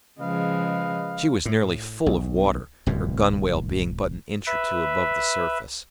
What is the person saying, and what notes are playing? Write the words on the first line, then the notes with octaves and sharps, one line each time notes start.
She was nearly full of water, her gunwale being but an inch or two above the surface.
C#3 F3 G#3 B4 D#5 F5
A2
B1
D1 C2 F#2 B2
B4 E5